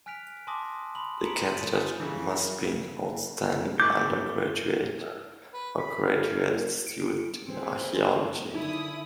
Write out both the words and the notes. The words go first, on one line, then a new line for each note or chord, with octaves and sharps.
The candidate must be an outstanding undergraduate or graduate student in archaeology.
G#5 F6 F#6 B6 D7 F7
G#5 A5 C6 D6 D#6 A#6
B5 C6 F#7
A#5 B5 B6 C#7 D7 F#7
G6 A6 D#7 F#7
G#5 D#6 G6 C#7
C#3 E3
G#2 E4 C#6 D6 G6
B4
B5
F5
C#7 D7
C4 G#4 B4
D3 D#4 E4 D#6